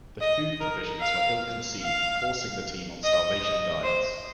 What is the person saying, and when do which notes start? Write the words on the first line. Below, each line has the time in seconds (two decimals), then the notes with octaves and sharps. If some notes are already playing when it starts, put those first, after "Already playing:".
The food provisions were ill-conceived forcing the team on starvation diets.
0.21 D#5
0.61 A#4
1.01 F5
1.82 F5
3.04 D#5
3.44 D#5
3.84 C5